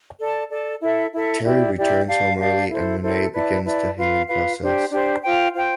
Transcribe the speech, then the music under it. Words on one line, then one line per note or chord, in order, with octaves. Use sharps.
Terry returns home early and Renay beings the healing process.
A4 D5 A5
A4 D5 A5
E4 A4 E5
E4 A4 E5
E4 G4 D5
E4 G4 D5
G4 D5 F5 A5
G4 D5 F5 A5
E4 A4 C5
E4 A4 C5
E4 B4 D5 A5
E4 B4 D5 A5
F4 B4 F5
F4 B4 F5
D4 G4 C5
D4 G4 C5
F4 C5 G5
F4 C5 G5